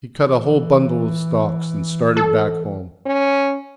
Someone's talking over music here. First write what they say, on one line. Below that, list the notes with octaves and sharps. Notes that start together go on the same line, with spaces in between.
He cut a whole bundle of stalks and started back home.
E3
A4
C#4